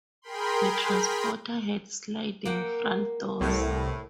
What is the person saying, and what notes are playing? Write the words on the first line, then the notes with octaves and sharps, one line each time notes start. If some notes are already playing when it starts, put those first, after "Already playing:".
The Transporter had sliding front doors.
G#4 A#4 G5 B5 C6
A#3 F#5 G5
C2 A2